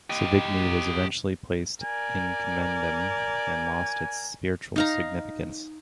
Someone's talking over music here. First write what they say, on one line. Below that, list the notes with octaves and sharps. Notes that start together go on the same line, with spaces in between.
Savigny was eventually placed "in commendam" and lost its spiritual significance.
G4 D#5
A#4 D5 G#5
D#4 F5 A#5